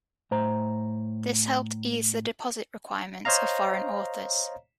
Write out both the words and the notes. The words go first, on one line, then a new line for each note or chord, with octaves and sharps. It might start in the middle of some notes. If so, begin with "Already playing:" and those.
This helped ease the deposit requirements of foreign authors.
A2 C5 A#5
C5 C#5 D#5 F5 A#5